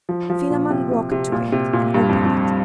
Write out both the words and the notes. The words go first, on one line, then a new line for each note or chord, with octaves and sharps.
Philammon walked to it, and opened it.
F3
F3
A#2
C3
C3
C3
A#2
C3
A#2
G2
F2
F2